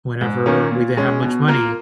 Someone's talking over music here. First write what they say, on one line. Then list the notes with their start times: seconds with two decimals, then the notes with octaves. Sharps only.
whenever we didn't have much money,
0.21 G#2
0.46 D#3 A#3 C#4
0.71 A#2
0.97 G#3 C#4
1.23 B2
1.48 A#3 F4 A#4